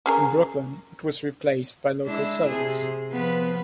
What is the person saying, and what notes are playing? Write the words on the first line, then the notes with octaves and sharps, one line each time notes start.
In Brooklyn, it was replaced by local service.
C#4 G#4 A#4
G#3 D4 E4
C3 G#4
F3 B3 B4